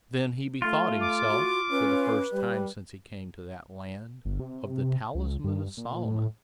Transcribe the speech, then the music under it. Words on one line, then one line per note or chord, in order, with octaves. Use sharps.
Then he bethought himself, for the first time since he came to that land, of the Talisman of Solomon.
A3 F4
D6
F#4
C#4 B4
G3
G1
C3
C#2
G2
A#2
A2